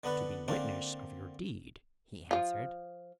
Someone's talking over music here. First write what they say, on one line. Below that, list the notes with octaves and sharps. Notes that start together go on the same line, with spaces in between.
"To be witness of your deed," he answered.
D3 B3 D4 B4
D3 A#3 C4 D4
F3 F4